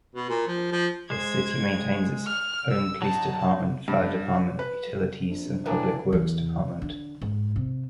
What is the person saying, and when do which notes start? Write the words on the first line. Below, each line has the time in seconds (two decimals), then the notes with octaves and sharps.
The city maintains its own Police Department, Fire Department, Utilities and Public Works Department.
0.15 B2
0.29 A#2
0.47 F3
0.72 F3
1.10 G#3 C5 G#6
2.27 F6
2.70 E6
3.02 F#3 D#4 A5
3.88 G2
4.59 B4
5.29 A#1
5.66 A2 E3 A#3 D4
6.12 E2
6.82 D3
7.21 G#2
7.56 C3